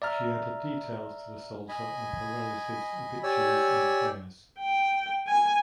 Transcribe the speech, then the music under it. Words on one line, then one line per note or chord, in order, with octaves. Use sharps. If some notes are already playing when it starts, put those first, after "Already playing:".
She added details to the psalter of her relatives obituaries and prayers.
D5 E5 A#5 F6
D#5 G#5 B5
G4 C#5 D5 G#5 E6
G5
G#5